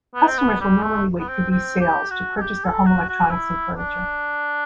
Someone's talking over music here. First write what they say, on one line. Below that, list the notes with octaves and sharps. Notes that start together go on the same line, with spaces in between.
Customers will normally wait for these sales to purchase their home electronics and furniture.
B3
C4
B3
G3
A3
B3
C4
C4
G4
F#4
A4
G4
A4
F#4
F#4
E4
D4